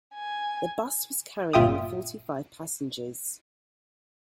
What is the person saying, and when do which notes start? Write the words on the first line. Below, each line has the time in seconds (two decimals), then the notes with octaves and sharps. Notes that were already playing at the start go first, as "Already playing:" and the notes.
The bus was carrying forty-five passengers.
0.15 G#5
1.53 G1 A#2 F4 E5 G5 D#6